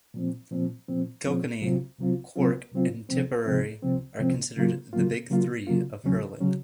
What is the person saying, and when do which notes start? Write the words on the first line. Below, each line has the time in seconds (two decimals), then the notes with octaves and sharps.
Kilkenny, Cork and Tipperary are considered "the big three" of hurling.
0.14 A#2 F3 C4
0.51 A#2 F3 C4
0.88 A#2 F3 C4
1.25 A#2 F3 C4
1.62 C2 C3 F#3 C4 F4
1.98 C2 C3 F#3 C4 F4
2.36 C2 C3 F#3 C4 F4
2.72 C2 C3 F#3 C4 F4
3.09 C#2 C3 F3 C4
3.45 C#2 C3 F3 C4
3.82 C#2 C3 F3 C4
4.19 C#2 C3 F3 C4
4.56 C#3 F#3 A#3 F4
4.93 C#3 F#3 A#3 F4
5.30 C#3 F#3 A#3 F4
5.67 C#3 F#3 A#3 F4
6.04 D#2 C#3 F#3 C#4
6.40 C#3 F#3 C#4